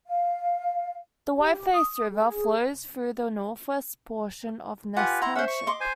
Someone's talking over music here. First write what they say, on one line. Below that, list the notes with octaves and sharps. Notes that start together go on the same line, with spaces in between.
The Whiteface River flows through the northwest portion of Ness Township.
F5
G4
D#6
G#4
F4 G4 B4 F#5 G#5
E4 F#5 A#5 C6
C#4 C5 E5 F#5
C#6
D#5 C6 D6
C5 G#5